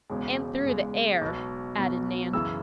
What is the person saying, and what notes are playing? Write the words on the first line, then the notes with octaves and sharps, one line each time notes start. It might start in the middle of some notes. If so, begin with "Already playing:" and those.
"And through the air," added Nan.
E1 E2 C#3 G#3
E1 E2 C#3 G#3
B1 B2 B3
B1 B2 B3
F#2 C#3 E3 E6